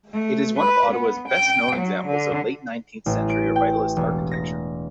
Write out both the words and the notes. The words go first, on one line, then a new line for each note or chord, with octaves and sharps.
It is one of Ottawa's best known examples of late-nineteenth century revivalist architecture.
A3
B4
B3
G5
F#3
D3
A1
D7
G5
E1
A#6